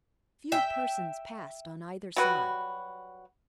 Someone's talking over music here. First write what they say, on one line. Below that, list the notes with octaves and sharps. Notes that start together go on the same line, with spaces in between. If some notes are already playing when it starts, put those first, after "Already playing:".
Few persons passed on either side.
E5 G5
F#3 G3 F#4 B4